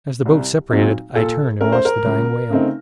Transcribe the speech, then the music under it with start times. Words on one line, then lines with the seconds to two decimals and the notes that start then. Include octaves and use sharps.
As the boats separated, I turned and watched the dying whale.
0.26 C2
0.71 A#2 F#3 C4 D#4
1.15 A#2 A4
1.61 A3 C#4 A#4
1.72 C5
1.85 A#4
2.06 C#2
2.50 C#3 A3 C4 D#4